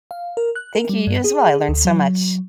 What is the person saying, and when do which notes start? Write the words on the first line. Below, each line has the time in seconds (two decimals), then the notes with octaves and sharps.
Thank you, you as well, I learned so much.
0.11 F5
0.37 A#4
0.56 F#6
0.75 A#4
0.89 G3
1.07 G2
1.24 G#4
1.69 D2
1.85 F#3